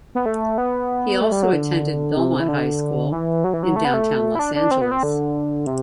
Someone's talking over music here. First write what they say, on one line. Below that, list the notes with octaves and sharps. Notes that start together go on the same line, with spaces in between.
He also attended Belmont High School in Downtown Los Angeles.
B3
A3
B3
A3
G3
F#3
D3
C3
E3
D3
E3
F#3
E3
F#3
A3
B3
A3
E4
D4
D4
C4
B3
C4
D3
C3